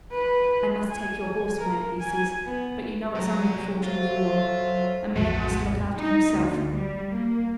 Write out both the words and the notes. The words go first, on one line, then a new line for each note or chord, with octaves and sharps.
'I must take your horse, mate,' he says; 'but you know it's only the fortune of war. A man must look after himself.
B4
G#5
A#4
G#5
B3
B2 F#3 A#5
F4 A4 C5 E5
A#1 F2 A2 A3 B3 F#4
D#4
D2
G3
A#3